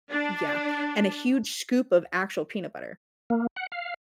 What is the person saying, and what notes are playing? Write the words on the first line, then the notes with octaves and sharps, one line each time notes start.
Yeah, and a huge scoop of actual peanut butter,
D4
A#3
F#5
F5